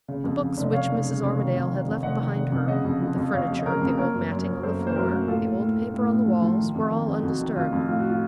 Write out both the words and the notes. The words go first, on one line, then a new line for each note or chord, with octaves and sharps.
The books which Mrs. Armadale had left behind her, the furniture, the old matting on the floor, the old paper on the walls, were all undisturbed.
C#3
F2
F2
F1
D#5
F1 C#5 F5
F1
C#3
F1
D#3
F2
D#3
F2
F1 D#5 F#5
D#3
F1
F2
C#3 D#5 F#5
F2
F3
F2
F2 C#5 F5
F2
D#5
C#3 A#4 C#5
F2
A#3 A#4 C#5
F#2
F#2
F#2
F#2 A4 C5
A#3
C5
F#2 F#4 A#4
A#3
A2 F4 A4
A2
A2
A3
A2
A3
F3
F3
D#3
F2
D#3
F2
F2 F#4
D#3
F2 F4
F2
A2 F4
F#4
F4